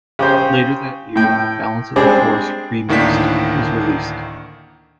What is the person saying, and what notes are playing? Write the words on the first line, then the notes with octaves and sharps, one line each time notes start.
Later that year, "Balance of the Force - Remixed" was released.
C#3 G4 C5
A2 G5
G3 G#3 C4 D4 G#4
D2 A2 D#3 A#3 D4 B6